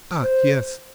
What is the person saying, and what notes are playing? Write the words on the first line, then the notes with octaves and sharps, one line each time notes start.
Ah, yes!
C5